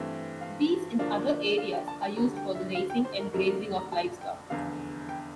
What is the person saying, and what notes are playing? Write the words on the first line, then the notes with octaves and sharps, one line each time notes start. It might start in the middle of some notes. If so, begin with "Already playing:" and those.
These and other areas are used for the raising and grazing of livestock.
Already playing: G2 E3 A3 C4
F5
D2 D3 F3 A#3 D4 F5
F5
G5
A5
A5
D2 D3 G3 A#5
G5
E5
F5
G5
C5
A#4
F2 D3 A3 D4 A#4
A#4
A#5
A5
G5
F1 E2 D3 F5
G5